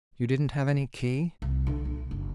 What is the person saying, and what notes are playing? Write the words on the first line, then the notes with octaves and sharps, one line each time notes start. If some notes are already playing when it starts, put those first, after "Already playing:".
"You didn't have any key?"
C2
D3
A#1
F#1